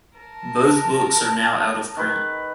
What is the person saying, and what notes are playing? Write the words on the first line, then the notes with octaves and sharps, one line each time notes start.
Both books are now out of print.
A#4 A5
D#3 B4